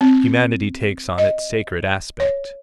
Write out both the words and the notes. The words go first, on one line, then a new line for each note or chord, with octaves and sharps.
Humanity takes on its sacred aspect.
C4
D#5
C#5